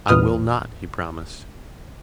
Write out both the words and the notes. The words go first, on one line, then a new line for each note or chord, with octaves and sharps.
"I will not," he promised.
A1 E2 A#2 B4 D#6 F6